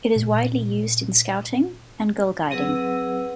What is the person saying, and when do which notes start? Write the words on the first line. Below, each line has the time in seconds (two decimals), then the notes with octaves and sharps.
It is widely used in Scouting and Girl Guiding.
0.16 A#2
2.50 F#3 C4 G#4 B4 F#5 E6